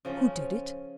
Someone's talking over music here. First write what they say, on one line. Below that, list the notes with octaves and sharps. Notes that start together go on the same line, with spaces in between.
Who did it?
C#3 F3 C#4